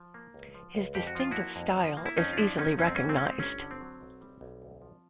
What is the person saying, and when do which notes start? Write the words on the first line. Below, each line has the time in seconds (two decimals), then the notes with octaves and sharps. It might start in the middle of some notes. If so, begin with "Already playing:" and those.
His distinctive style is easily recognized.
Already playing: F3
0.14 A#3
0.34 C#2
0.54 F3
0.75 C#2
0.95 F2 G4
1.07 F#4
1.15 F3 F4
1.31 A#3 E4 F#4
1.56 F2
1.77 F3
1.97 A#3
2.06 E4
2.17 F2 C#4 D#4
2.33 F4
2.37 F3 D4 E4
2.58 A#3 C#4 D#4
2.79 F2 C#4
2.87 C4
2.95 E3 C#4
3.09 C4
3.17 G#3 C#4
3.25 C4
3.39 G1 C#4
3.61 D3
3.71 C4
3.81 F#3
4.01 B1
4.21 G3
4.41 B1
4.62 D2
4.82 F3